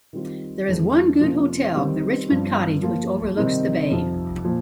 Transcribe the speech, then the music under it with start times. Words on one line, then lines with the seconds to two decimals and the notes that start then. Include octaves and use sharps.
There is one good hotel, the Richmond Cottage which overlooks the bay.
0.13 D#3 G3 C4 F4
0.67 F2 D#3 G#3
1.20 C3 F3 A#3 C#4 F4
1.74 D#3 G3 C4
2.28 G2 F3 C4
2.82 F3 A#3 F4
3.36 C3 D#3 G3 C4 D#4
3.90 F2 C3 F3
4.44 A#2 F3